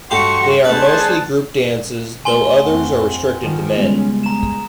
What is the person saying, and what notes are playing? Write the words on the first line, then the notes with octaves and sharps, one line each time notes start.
They are mostly group dances, though others are restricted to men.
G2 A3 F#4 G4 C6 C#6
A3 D4 G#4 B4 C5 F#5 A5
A3 G#5 C6 G7
F2 C4 F#5
D#3 F3 A4
C#3 G3 G#3 B3 C#4
G#4 A#5 E7